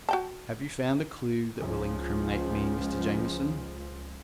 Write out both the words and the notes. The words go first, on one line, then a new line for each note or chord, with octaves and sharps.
"Have you found a clue that will incriminate me, Mr. Jamieson?"
F#4 G5 A5
C#2 F3